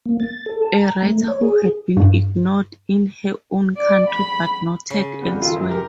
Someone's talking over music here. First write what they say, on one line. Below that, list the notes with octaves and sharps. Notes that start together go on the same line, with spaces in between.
A writer who had been ignored in her own country but noted elsewhere.
A#3
A6
A4
A5
A#5
A3
C#5
G#4
G2
D5
B5
C#3
F2 G3 B3
D#3 F4 A4
C#2 F#2
G4 A#4